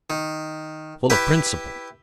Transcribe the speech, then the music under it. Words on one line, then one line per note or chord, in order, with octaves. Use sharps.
Full of principle.
D#3
E4 G4 B4 G5